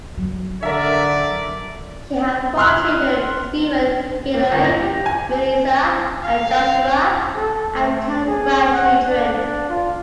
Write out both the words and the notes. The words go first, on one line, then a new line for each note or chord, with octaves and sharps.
She had four children - Stephen, Hilary, Melissa and Joshua - and ten grandchildren.
F#3
D3 A#4 D5 E5
C6 F6 F#6
A#3
G1
A#6
G4
G#5
F5
A4
A3
G#4
F#5
D4
F4